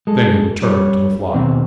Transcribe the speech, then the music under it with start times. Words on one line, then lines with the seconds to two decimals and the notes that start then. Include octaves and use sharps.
Then he returned to the flier.
0.07 G#3 A4
0.62 G3 C#5
1.33 E2 B2 D#3 C4